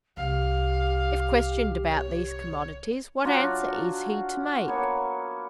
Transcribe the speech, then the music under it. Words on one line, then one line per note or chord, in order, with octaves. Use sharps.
If questioned about these commodities, what answer is he to make?
C2 G4 F5
C#5
F#3 D4 F4 F#4
A#3 B3 C#5